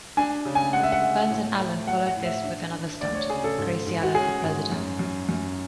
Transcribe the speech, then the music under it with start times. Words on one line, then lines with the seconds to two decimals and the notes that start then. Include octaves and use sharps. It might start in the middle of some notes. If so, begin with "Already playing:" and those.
Burns and Allen followed this with another stunt: Gracie Allen for President.
0.17 D4 G#5
0.45 C#3
0.55 G#5
0.73 G#3 F#5
0.83 E5
0.92 F#5
1.02 G#3
1.30 A2
1.59 A3
1.87 F#3 F#5
2.06 F#5
2.16 A2
2.25 E5
2.44 D4
2.72 D4
3.00 D2 D5
3.15 C#5
3.29 C#3 G#4
3.44 A4
3.58 G#2
3.87 G#2
4.03 F#4
4.15 C#4 G#4
4.44 G#2
4.72 F#2
4.99 F#2
5.29 F#2